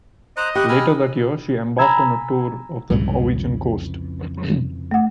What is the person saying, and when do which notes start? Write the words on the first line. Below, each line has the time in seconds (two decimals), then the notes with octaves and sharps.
Later that year she embarked on a tour of the Norwegian coast.
0.37 C5 D#5 A#5 F#6
0.55 G4 B5 C#6 D#6 F#6
0.69 G#5 B5 E6 F6
1.78 G#5 A#5 B5 E6 G#6
2.90 C2 F2 G#2 C#3 E3 G3
4.91 A3 F#5